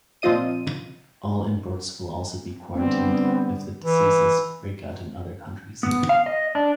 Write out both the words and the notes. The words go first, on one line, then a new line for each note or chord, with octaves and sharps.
All imports will also be quarantined if the diseases breakout in other countries.
A#2 F3 C4 F4 D#5 D#7
D3 G3 B3 C4
E3
B3
F5
D#5
D4